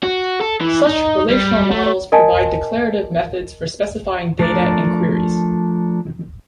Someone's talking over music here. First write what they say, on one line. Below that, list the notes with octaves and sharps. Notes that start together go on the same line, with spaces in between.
Such relational models provide declarative methods for specifying data and queries.
F#4
A4
E3
D#4
G3
A3
A#4 D#5 G#5 A5
F3 A3 D4 A#4 D5